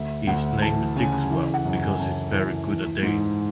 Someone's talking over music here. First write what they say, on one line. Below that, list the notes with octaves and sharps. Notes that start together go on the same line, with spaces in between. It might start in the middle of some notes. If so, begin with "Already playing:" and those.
He is named Digswell because he is very good at digging.
Already playing: D2 E5
D2 F#5
E3 A5
C#3 G#5
E3
F#5
F#2
G#5
F#2 A5
E3
E3
G#2